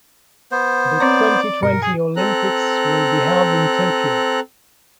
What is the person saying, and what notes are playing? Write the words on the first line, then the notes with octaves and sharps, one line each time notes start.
The twenty-twenty Olympics will be held in Tokyo.
B3 C5
C4 C#5 D5 A#5
G2 B2 A#4 C#7
G#4 G#5
C4 A4 A#5 F#6